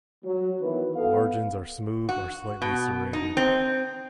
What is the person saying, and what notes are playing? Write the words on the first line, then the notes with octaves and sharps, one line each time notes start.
Margins are smooth or slightly serrated.
F#3
D#3 E3 F#3 B3
B3 A4 F5
F#4
B2
D#4
C4